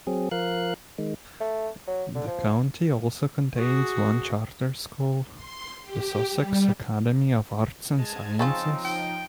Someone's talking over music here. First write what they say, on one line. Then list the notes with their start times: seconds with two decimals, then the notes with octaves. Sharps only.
The county also contains one charter school, the Sussex Academy of Arts and Sciences.
0.07 F#3 C4 G#4
0.31 F3 A#4 F5 F#6
0.98 D#3 G#3
1.40 A3
1.87 F#3
2.15 D3
2.27 F3
3.57 F#4 G#4
5.34 C6
5.82 G4
6.30 G3
7.98 G#3 A5 G#6
8.39 C#3 F3 C4 C#4 D#4 F4 A5
8.85 G5